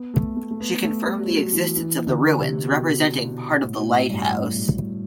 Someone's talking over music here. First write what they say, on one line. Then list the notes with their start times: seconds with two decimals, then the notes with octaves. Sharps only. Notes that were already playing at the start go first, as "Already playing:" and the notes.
She confirmed the existence of the ruins representing part of the lighthouse.
Already playing: B3
0.14 A3
0.36 A3
0.51 A3
0.60 B3
0.83 A3
1.06 G3
1.30 F#3
1.53 E3
1.76 E3
2.07 D3
2.39 C3
2.70 B2
2.93 B2
3.16 B2
3.63 A2
3.77 B2
3.87 A2
4.10 G2
4.33 A2
4.56 G2